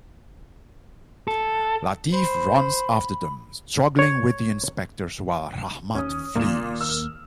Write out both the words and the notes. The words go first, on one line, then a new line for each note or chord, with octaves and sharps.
Lateef runs after them, struggling with the inspectors while Rahmat flees.
A4
C5 B5
C#5
D#2 C#4 D#6
D#2 A#2 A#3 E7
E6 F6